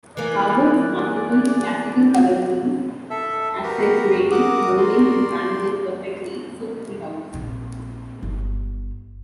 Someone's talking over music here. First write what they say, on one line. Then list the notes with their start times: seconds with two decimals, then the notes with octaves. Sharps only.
Harboard's masterful, classical colour schemes accentuating moulding and panelling perfectly suit the house.
0.17 E3 A#3 D5 G#5 F#6
3.10 A4 E5
3.63 F#4 G4 A#4 B4
4.31 F#4 A#4 F#5 D6 D#6
4.77 D5 C6
7.34 A#1 C4
8.22 G1